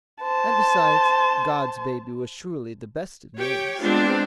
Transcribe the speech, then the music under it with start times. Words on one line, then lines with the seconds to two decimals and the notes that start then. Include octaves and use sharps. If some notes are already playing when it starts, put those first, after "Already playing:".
And, besides, God's baby was surely the best of names!
0.22 C5 A5
3.37 G4 C#5 G5
3.81 G#3 B3 C4 D4 F4